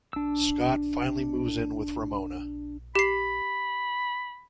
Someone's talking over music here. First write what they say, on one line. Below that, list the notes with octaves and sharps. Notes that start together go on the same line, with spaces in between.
Scott finally moves in with Ramona.
D4 E6
G4 B5 C7